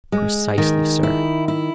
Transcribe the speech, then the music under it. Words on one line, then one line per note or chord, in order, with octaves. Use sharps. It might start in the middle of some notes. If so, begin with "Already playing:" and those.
"Precisely, sir."
G#3
D#3
E4
E4